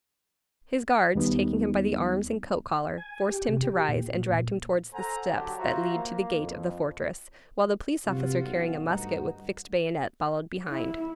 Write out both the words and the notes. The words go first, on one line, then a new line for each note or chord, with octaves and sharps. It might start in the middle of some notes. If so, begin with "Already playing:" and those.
His guards, taking him by the arms and coat-collar, forced him to rise, and dragged him towards the steps that lead to the gate of the fortress, while the police officer carrying a musket with fixed bayonet followed behind.
D#2 G3 B3 D#4
G#5
G4
C3
G4
A#2
A4 C5 F#5 G#5 A#5
D3 F#3 D4 F#4 G4
F4 F#4 C5 E5 A#5
A#3
F2
G2 C3 F4 F#4
B1
D2 G2 D#4 F#4
E4